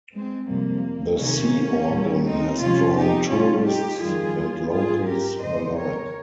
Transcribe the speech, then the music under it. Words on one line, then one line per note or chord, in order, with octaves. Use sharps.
The Sea Organ has drawn tourists and locals alike.
G#3 C4
F2 C3 G3 A#3
C3 D#3 G#3 A#3 C#4
A#2 G3
C4 D#4
C3 F3 G#3 C#4 F4
D#4 G4
C3 G3 C#4 F4
D#4 G4
F2 D#3 G3 F4 G#4
G#2 G3 F4 G#4
G4 A#4
F2 C#3 G#3 C5 D#5
A#4 C#5